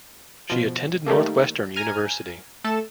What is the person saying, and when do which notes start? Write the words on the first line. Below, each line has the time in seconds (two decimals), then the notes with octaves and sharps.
She attended Northwestern University.
0.50 B2 F3
1.06 D#3 G3 A3 A#3
1.76 G#5 A#5 F6 D#7
2.64 A3 A4 A5 E7